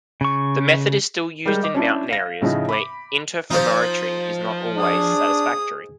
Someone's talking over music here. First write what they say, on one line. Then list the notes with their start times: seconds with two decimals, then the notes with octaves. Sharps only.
This method is still used in mountain areas, where interferometry is not always satisfactory.
0.21 C#3 C#6
1.46 G3 G#3 A#4 G6
1.62 D#5 D6
1.74 C#4 D4 E4
2.10 F5 A#6
2.41 A2 C#3 F3 D#4
2.69 B5 D6
3.50 F3 D#4 F4 C5
4.77 D4 G#4 D#6